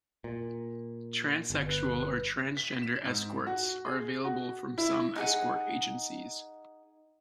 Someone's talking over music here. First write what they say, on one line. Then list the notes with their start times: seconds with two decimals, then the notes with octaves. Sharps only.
Transsexual or transgender escorts are available from some escort agencies.
0.24 A#2
1.50 G1
1.66 B4
2.57 B6
2.82 E7
3.05 G#2
3.47 F#4
3.85 G#4
4.25 F#4
4.78 E4
5.16 D#4 G#4 F#5